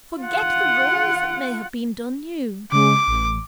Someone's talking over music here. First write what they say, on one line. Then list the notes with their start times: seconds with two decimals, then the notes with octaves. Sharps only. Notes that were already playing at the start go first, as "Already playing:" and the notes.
Forget the wrongs that may have been done you.
0.21 F4 F#5
2.72 C#3 G#3 D6
3.07 A1